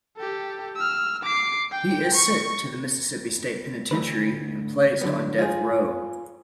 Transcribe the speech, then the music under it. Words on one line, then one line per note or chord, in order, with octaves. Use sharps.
He is sent to the Mississippi State Penitentiary and placed on death row.
G4 A4
E6 F6
D6 C7
G5
C#6
D2 A3 B4
D3 F#3 B3
F4 G#4